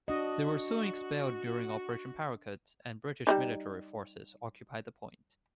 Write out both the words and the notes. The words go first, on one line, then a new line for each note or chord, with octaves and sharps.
They were soon expelled during Operation Paraquet and British military forces occupied the point.
D4 F#4 D#5
G3 D4 D#4